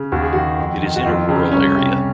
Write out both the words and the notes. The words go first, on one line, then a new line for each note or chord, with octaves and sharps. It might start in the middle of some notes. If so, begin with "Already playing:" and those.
It is in a rural area.
Already playing: C#3
D#2 F#4
G#4
D#3 F#4
F2
D#3
F#4
F2 F4
C#3
C2 C#4
C3